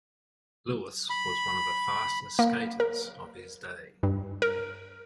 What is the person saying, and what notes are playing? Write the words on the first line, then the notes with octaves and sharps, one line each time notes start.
Lewis was one of the fastest skaters of his day.
B5
A#3
A#4
G2
A#4